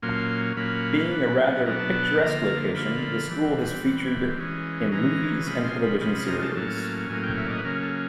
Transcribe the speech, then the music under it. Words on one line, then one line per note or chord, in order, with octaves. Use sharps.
Being a rather picturesque location, the school has featured in movies and television serials.
A#2 F#3 A#3 C#4 C6
A#2 F#3 A#3 C#4 B5
B2 F#3 B3 D4
B2 F#3 B3 D4 A#5
A5
A5
A5
D3 F3 A#3 A#5
D3 F3 A#3 B5
E3 G3 C4
E3 G3 C4
E3 G#3 C#4
E3 G#3 C#4 A#5
C3 F3 G#3 C#4 B5
C6
B5
C3 F3 G#3 C#4 B5
B5
A#5
A5
A2 F#3 A#3 C#4 A5
A2 F#3 A#3 C#4 G#5
G5
E5
D5
D#5
B4
C#3 F#3 A#3 C#4 A#4
A4